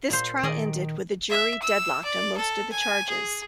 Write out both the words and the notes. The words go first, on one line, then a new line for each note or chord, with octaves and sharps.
This trial ended with a jury deadlocked on most of the charges.
A#2 C5
D#3 G#4 D5 D#5
E5
E6
D5
A4
G#5
G#4